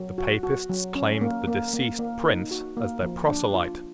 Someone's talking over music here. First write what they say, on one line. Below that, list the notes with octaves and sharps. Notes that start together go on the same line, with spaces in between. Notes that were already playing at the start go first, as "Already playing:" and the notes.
The Papists claimed the deceased prince as their proselyte.
Already playing: F#3
F#4
F#4
F#3
C#4
A#3
A#3
A#3
A#3
D#4
F#4
A#3
F3
D4
F4